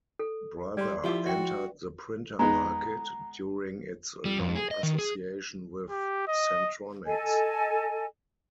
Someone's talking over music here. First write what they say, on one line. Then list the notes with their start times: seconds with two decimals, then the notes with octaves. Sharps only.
Brother entered the printer market during its long association with Centronics.
0.19 A4
0.77 G3 D5 C6
1.04 F3 E4 F4 G4
1.26 F#4 E5 G5
2.39 G#3 B3 D#4 A#5
4.25 G3
4.38 F2
4.55 G#4
4.71 D#5
4.83 D#3
4.99 G#4
5.90 G4
6.27 D#5
7.06 A4 D#5 G#5